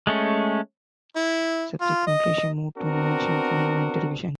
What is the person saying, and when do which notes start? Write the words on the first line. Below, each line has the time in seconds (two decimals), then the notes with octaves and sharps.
Subsequently, she moved to mainstream film and television.
0.07 G#3 A3 C#4
1.16 E4
1.81 F4
2.07 D#5
2.78 B3 C4 D4 F#4 A#4